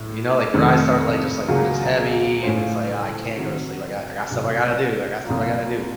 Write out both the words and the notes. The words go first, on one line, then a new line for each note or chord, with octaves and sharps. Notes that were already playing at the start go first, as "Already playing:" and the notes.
You know, like, your eyes start, like, just, like they're just heavy, and it's, like, "Oh, I can't go to sleep I got I got stuff I gotta do, I got stuff I gotta do."
Already playing: A2
F2 C3 D#3 A3 C4
C#2 C#3 F#3 A#3 F4
A2 A3 C#4 F4 C5
D#3 F#3 C4
C2 C3 F#3
C2 A#2 F3 A#3